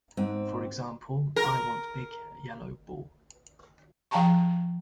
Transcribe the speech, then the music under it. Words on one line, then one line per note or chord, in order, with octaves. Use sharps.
For example, I want big yellow ball.
G#2 C4
A#4
F3 F5 G5 A5 A#5 C#6